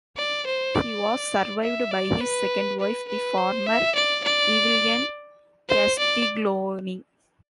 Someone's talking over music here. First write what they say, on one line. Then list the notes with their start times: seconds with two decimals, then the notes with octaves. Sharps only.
He was survived by his second wife, the former Evelyn Castiglioni.
0.17 D5
0.47 C5
0.75 D5
1.63 E5
1.92 D5
2.21 B4
2.80 B4
3.09 B4
3.37 C5
3.67 E5
3.95 D5
4.24 D5
5.69 C5
5.99 D5